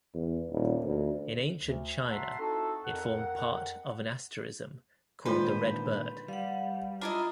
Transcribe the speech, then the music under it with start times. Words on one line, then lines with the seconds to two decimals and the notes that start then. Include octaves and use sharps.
In ancient China it formed part of an asterism called the "red bird".
0.14 E2
0.51 D#1
0.83 D2
1.60 D2
2.08 F#4 E5 F#5 A5 A#5 C6
2.39 C4 D#4 E4 F#4 A4
2.84 F2 A#4 F#5
5.25 A#2 D3 D#3 G#3 F4 B4 C5
6.28 G3 F5 F#5
7.01 D4 E4 F4 D#5 A#5 B5